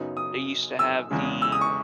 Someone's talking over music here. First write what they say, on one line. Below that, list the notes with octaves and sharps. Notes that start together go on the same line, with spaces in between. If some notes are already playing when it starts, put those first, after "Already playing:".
they used to have the,
Already playing: F#2 C#3 F#3 B3 D#4
D#6
E6
E2 C#3 G#3
E6
D#6
C#6